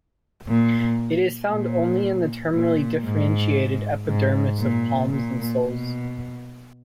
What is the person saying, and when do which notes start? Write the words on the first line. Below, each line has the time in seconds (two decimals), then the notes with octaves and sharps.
It is found only in the terminally differentiated epidermis of palms and soles.
0.49 A#2
1.51 A#2
2.52 A#2
3.05 G#2
4.06 G#2
4.58 A#2
5.09 A#2
5.60 B2